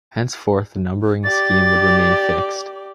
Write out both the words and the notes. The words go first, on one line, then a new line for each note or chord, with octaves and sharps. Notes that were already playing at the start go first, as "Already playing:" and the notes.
Henceforth, the numbering scheme would remain fixed.
G4 D5 A6